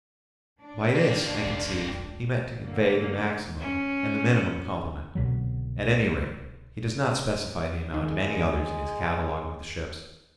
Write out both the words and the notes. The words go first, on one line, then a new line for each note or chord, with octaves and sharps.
By this, I conceive, he meant to convey the maximum and the minimum complement: at any rate, he does not specify the amount of any others in his catalogue of the ships.
D4
A#3 C4
E1 C2 G#3
D3 A#3
C#4
C2 B2 D3 F#3
D#3 G#3